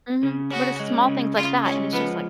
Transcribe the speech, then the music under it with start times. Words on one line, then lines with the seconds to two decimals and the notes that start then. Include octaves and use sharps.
Mhm, but it's small things like that, and it's just like,
0.23 C#3
0.51 C#4 F#4
0.80 G#3
1.08 C#3
1.36 C#3 F4
1.64 G#3 C#4
1.93 F3 B3